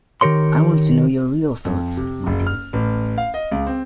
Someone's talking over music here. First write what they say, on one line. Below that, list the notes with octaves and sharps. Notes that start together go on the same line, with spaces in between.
I want to know your real thoughts, my dear.
D#3 G4 A#4 C#5 C6
F2
C3
F#1
F6
A1
F5
D#5
C#2
C4